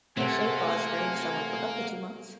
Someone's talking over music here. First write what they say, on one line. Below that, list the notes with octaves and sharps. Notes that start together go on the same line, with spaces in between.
The show paused during the summer for up to two months.
C3 A3 A#3 C4 F#5 G#5